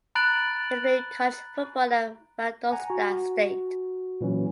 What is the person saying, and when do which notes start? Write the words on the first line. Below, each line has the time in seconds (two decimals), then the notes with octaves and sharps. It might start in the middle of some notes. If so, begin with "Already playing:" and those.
He played college football at Valdosta State.
0.15 A#5 B5 F#6 A6 D7 F#7
2.71 F#5 G#5 A#5
2.90 F#4
4.21 A#2 E3 F#3 C#4